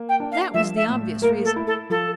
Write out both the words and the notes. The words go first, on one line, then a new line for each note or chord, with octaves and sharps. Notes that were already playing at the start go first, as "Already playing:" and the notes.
That was the obvious reason.
Already playing: A#3
G5
D4
F5
F3 E5
E5
A2
A#3 A#4
A4
E4
A4
F3 A4